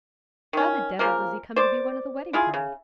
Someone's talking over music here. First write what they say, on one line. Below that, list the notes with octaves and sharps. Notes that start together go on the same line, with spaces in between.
"How the devil does he come to be one of the wedding party?"
D#3 C#4
C#3 F3 A#3 A#4
C5 D5
E4 F4 G#4
C#3